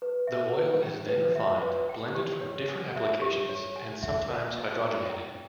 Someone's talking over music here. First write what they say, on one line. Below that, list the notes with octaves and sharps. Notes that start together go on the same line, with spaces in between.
The oil is then refined, blended for different applications, and sometimes hydrogenated.
B4
E5
B4
G5
B4
E5
B4
G5
G4
C#5
G#5
E5
G4
C#5
G#5
E5
A#4
D#5
A#5
G5